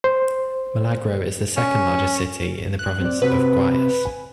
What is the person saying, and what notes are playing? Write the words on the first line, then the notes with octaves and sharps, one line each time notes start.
Milagro is the second largest city in the province of Guayas.
C5
C#4
F#6
C4 D5
C3 C4 F#4 B4
G#5